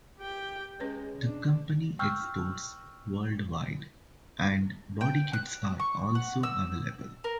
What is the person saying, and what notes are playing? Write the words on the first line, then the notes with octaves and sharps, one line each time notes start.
The company exports worldwide and body kits are also available.
G4 G5
G#3 C#4 B4 C#5
D4
G5 C#6 E6 F6 G6
G5
F#6
C#6
F#5
E6
A#4